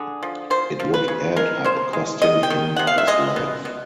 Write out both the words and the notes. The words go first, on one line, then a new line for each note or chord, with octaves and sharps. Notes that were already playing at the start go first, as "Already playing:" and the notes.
It would end up costing him his life.
Already playing: D3 G#4
F3
F3 C5
F3
B4
C#3
G#3 A#4
C#3 C5
G#3
D#3 D#5
G5
D#3
C3 F#5
F5
E5
G#3 D#5
B2
B2